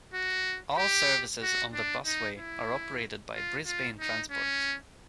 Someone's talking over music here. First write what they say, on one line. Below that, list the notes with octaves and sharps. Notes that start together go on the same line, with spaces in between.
All services on the busway are operated by Brisbane Transport.
F#4
G4
F#4
D4
D#4
E4
F4
F4
D#4
C#4